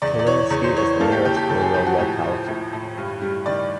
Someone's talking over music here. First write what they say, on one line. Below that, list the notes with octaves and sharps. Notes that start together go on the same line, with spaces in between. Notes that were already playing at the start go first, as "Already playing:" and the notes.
Kalininsky is the nearest rural locality.
E2 D5
D5
E3 C#5
E2 C#5
C5
E3 C#5
A#3 A4
G4
D#2 G4
G4
D#2 A4
G#4
F3 G4
F#4
A2 G4
F3
A2
A2
G2
G3
D#3 D5